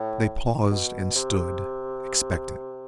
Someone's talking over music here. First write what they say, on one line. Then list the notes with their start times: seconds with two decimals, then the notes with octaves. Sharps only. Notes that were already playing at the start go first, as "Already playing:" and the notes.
They paused and stood, expectant.
Already playing: A2
0.71 B2
1.16 C3